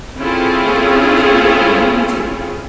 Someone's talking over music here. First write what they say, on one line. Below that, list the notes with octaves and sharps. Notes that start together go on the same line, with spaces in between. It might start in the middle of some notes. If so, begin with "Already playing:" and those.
They shall punish me and him too.
C4 C#4 E4 F4 G#4 A4